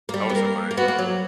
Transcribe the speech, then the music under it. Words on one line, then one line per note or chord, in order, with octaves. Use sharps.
I was at my
A#3
G3
B3
A#3 A#4
A#3
B3 F#4
A#3
F#3